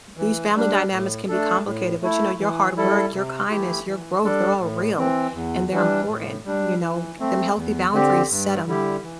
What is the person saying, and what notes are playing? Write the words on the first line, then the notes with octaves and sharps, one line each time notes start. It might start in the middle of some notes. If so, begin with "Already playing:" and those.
These family dynamics can be complicated, but you know, your hard work, your kindness, your growth, they're all real, and they're important, you know, g them healthy boundaries, set 'em,
E3
G3 D4
A2
A3 D4 A4
A2
A3 E4
E3
G3 E4 A4
C3
E3 A3 E4 G4
E3
G3 D4 A4
A2
E3 C4
E2
E3 G3 D4
A2
G3 D4
E3
A3 C4
E2
D3 C4 G4
G2
D3 G3 E4 G4
E3